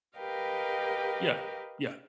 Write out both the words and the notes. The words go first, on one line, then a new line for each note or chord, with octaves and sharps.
yeah, yeah.
G4 A#4 B4 D#5 F5 G5